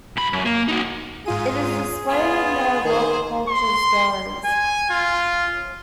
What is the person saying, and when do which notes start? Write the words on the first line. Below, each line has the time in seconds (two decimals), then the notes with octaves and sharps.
It is displayed in their World Cultures galleries.
0.17 B1 B5
0.33 F#2
0.46 A#3
0.68 D#4 F#4
1.26 G#2 F4 G#4 D#7
2.09 B3 F4 G#5
2.85 D#3 G#4 C5
3.48 C6
4.45 G#5
4.90 F4